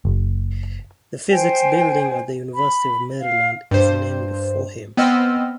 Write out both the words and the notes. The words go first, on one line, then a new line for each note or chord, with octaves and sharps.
The physics building at the University of Maryland is named for him.
F#1
C5 G5 G#5
B5
F5
G2 C5
B3 C4 D#5 E6 F6